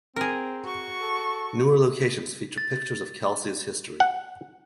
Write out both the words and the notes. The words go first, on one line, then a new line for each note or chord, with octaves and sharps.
Newer locations feature pictures of Kelsey's history.
C4 G#4 A#4
F#4 C#6
A4
A6
F#5